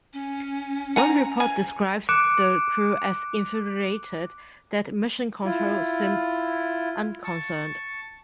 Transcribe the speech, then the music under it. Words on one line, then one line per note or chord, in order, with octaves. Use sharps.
One report describes the crew as "infuriated" that Mission Control seemed unconcerned.
C#4
F#5 G#5 A#5
G#5
D6 F#6 C#7 D7 E7
E4 F4
A5 C#6